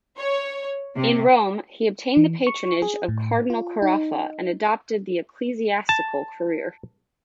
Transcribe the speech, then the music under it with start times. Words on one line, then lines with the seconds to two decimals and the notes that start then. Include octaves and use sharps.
In Rome, he obtained the patronage of Cardinal Carafa and adopted the ecclesiastical career.
0.18 C#5
0.96 C3
2.17 E3
2.47 C#6
2.82 G#4
3.08 A2
3.50 F4
3.82 D#4
5.89 A5